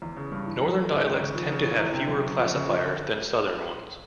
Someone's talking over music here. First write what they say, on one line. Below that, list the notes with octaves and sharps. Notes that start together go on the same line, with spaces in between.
Northern dialects tend to have fewer classifiers than southern ones.
E2
C#3
G2
E3
F#3
A3
G#2
D#3
C#3
F3
C#3
E3
E2
C3
F#2
C#3
F2
C#3
F2
D3